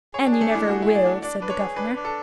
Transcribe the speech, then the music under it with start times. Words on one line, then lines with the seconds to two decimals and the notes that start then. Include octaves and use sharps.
"And you never will," said the governor.
0.13 G#4 C#5
0.27 D4 G#4
0.41 A3
0.51 D4 E4
0.68 F#4 G#4
0.82 E4 G#4
0.95 D5
1.04 D4
1.22 D4 D5
1.40 D4 B4
1.50 C#5
1.58 G#4
1.76 D4 B4
1.96 D4
2.05 A4